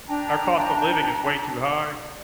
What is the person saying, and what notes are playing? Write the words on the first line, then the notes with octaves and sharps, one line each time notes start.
our cost of living is way too high,
D4 G5 A5 A#5